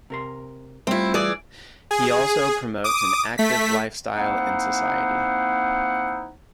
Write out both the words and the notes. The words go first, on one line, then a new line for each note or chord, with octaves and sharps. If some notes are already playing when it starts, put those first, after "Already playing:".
He also promotes an active lifestyle in society.
C3 A#4 C6
G3 A3 C4 E4 F4
E3 G#4 D5
G#4
D6 D#6
A3 B6
A#3 C4 D#4 E4 C5 F#5